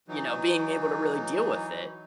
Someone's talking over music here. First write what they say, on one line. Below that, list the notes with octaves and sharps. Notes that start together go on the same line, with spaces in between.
you know, being able to really deal with it?
E3 F#3 D#4